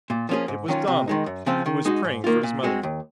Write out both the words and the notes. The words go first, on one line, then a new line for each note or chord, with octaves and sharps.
It was Donald who was praying for his mother.
A#2
F3 A#3 C#4 G#4
G#2
D#3 F#3 C#4 F4
C3
D#3 G#3 D#4
F#2
C#3 F3 C4 F4
D#3
G#3 D#4 F#4
G#2
D#3 A#3 F4
A#2
G#3 C4 F#4
D#2